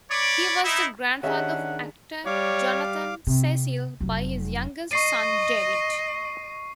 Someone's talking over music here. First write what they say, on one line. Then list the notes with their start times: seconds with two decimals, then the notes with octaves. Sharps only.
He was the grandfather of actor Jonathan Cecil by his youngest son, David.
0.11 C#5 D5 B5 D6
0.64 D#4 E4
1.23 D#3 C#4 D4 G4 G#4 D#5 E5 F#5
2.26 G3 C#5 F5 D6
3.27 C3
4.00 F1 F#3
4.91 D#5 C#6 C7 D#7